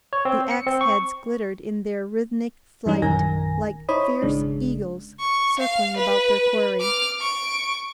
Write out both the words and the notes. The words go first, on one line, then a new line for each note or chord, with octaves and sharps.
The axe-heads glittered in their rhythmic flight, like fierce eagles circling about their quarry.
C#5
C4
C#7
C4
C#6
G2 E3 G3 C#4 D#4
A#1 F#2 D#3 A#4 G#5 A#6
D#4 E4 C5 C#5 B5 D#6
G#1 C#3 G#3 D4
C#6
F5
B4
D6 F6
C#6 D7